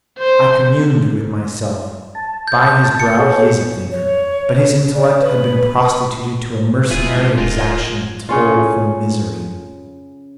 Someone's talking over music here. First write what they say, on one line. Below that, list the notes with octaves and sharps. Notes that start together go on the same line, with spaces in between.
I communed with myself: By his brow he is a thinker, but his intellect has been prostituted to a mercenary exaction of toll from misery.
C5
A5
G6
C#7
G#4 A4 C#5
C#5
D5
B4
D1 F#2 E4 F4 G#4 E5
A#2 D3 F#3 G#3
D1 G#3 F4 A#4
C#3 C#4 F4